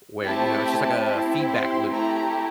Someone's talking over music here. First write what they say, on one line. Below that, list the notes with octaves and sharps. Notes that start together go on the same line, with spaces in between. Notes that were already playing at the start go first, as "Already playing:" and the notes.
where, you know, it's just like a feedback loop.
A3 C4 E4 G4 A5
C4 E4 G4
C6
A3 E4 G4 A#5